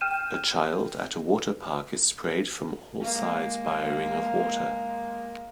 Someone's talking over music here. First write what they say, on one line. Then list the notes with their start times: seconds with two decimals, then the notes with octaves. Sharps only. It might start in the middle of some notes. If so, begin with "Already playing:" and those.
A child at a water park is sprayed from all sides by a ring of water.
0.01 G5 F6 G6 D#7 E7
3.02 G#3 A#3